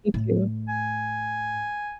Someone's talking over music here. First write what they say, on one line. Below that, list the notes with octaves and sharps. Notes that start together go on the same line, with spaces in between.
me too.
A2
G#5